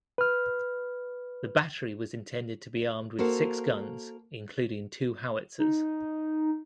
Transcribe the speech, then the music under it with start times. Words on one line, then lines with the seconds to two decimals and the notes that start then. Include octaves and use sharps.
The battery was intended to be armed with six guns including two howitzers.
0.18 B4 F6
3.19 A#3 F#4 A4 A#4 C5
5.59 D#4